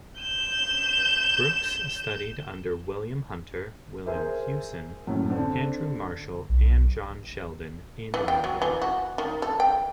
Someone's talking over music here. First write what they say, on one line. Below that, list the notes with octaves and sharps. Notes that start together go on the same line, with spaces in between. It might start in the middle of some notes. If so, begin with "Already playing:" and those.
Brookes studied under William Hunter, William Hewson, Andrew Marshall, and John Sheldon, in London.
G6 E7
G#4 A#4 C5 E5
F#2 A2
D3 C4 D4
B1
E3
G5
F#3
E3
F#4
D#3
A4
G5